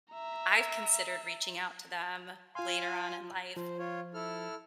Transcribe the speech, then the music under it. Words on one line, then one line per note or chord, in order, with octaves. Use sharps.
I've considered reaching out to them later on in life.
E5 A#5
F4 F5 G#5 C6
F3 C5
F4 C#5
E4 A4 F6